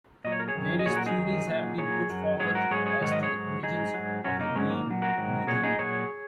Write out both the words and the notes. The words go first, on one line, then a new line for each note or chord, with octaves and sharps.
Various theories have been put forward as to the origins of the name "Loudoun".
A#2 F#3 D#5
C#5
A#4
G#4 C#5
F#2 D#3 F#3
D#5
A#2 F#3 G#4 C#5
F#4 A#4
D#4 G#4
F#2 D#3 F#3
A#2 F#3
A#2 F#3 G#4 C#5
F#2 F#3
G#2 F#3 G#4 C#5
F#4 A#4
G#2 F#3 G#4 C#5
G#4 C#5
G#2 D#3 F#3 C#5
D#5
G#4 C#5
G#2 F#3
G#2 F#3 D#4 G#4
G#2 F#3
F#2 F#3 C#4 F#4
A#3 D#4
G#2 F#3 G#3 C#4
A#3
A#2 F#3
F#4 A#4
G#2 D#3 F#3
A#2 F#3 G#4 C#5
D#4 G#4
A#2 F#3 G#4 C#5